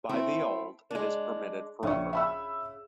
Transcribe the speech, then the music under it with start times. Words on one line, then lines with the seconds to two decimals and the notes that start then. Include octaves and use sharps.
By the old it is permitted forever.
0.09 A3 C4 E4
0.91 G#3 D4
1.83 A#1 C#3 E5 C#6
2.13 E5 B5 E6